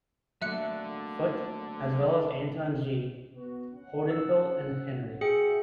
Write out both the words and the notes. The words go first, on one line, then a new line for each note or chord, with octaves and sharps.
Foote, as well as Anton G. Hodenpyl and Henry.
D3 F#3 A3 A#3 E5 F#6 C#7
B3 F#4
C#4 F#5
E6
F#2 F#4 G#4 E5 G5 C#7